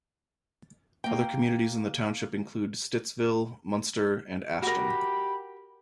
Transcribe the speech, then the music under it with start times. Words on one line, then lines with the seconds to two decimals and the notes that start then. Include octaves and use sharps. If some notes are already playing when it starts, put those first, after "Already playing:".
Other communities in the township include Stittsville, Munster, and Ashton.
1.04 A#3 G5
4.62 F#4 G4 A#4 B5